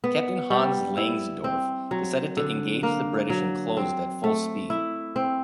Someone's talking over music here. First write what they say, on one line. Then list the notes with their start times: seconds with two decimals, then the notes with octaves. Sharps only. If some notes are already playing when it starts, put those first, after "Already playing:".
Captain Hans Langsdorff decided to engage the British and closed at full speed.
0.04 B3
0.50 G3
0.97 E4
1.44 C4
1.91 F#3
2.37 D3
2.83 A#3
3.30 F#3
3.77 C4
4.24 A3
4.70 E4
5.16 C4